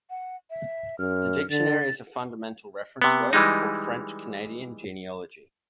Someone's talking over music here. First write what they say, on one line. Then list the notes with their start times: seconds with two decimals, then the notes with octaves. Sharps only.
The Dictionary is a fundamental reference work for French-Canadian genealogy.
0.10 F#5
0.50 E5
0.99 F#2 F6
1.50 D3 A6
3.02 C3 B3
3.33 E3 G3 G#3 D#4